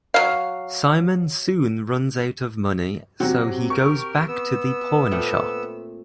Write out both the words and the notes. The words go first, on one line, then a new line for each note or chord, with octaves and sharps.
Simon soon runs out of money so he goes back to the pawn shop.
F#3 F5
C3 F#3 C4 F#4
G4 A#4 C#6
B3 E6
A#2 A3 C4